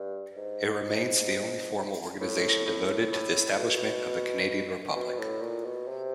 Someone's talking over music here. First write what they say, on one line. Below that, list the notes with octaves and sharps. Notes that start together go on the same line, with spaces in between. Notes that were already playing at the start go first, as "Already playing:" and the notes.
It remains the only formal organization devoted to the establishment of a Canadian republic.
Already playing: G2
G#2
A2
A2
A2
B2
B2
A2
A#2
B2
C3